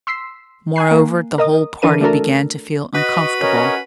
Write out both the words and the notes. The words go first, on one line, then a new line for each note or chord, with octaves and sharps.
Moreover, the whole party began to feel uncomfortable.
C6 E6 B6 C7
G#5 F#6 C7
A#3
A#4 D#5 D#6
E3 D4 A#4 D#7
A3 D4 F#4 A4 A#4
F#4 B4 D#5
C#4 A#4 C#5 D#5